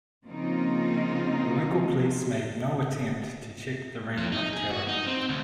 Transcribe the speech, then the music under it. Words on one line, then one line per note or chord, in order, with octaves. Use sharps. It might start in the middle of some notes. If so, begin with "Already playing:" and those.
The local police made no attempt to check the reign of terror.
C#3 F3 A#3 C4 D#4 F4
F2
D#4
G#4
F#4
D#4
C4
D2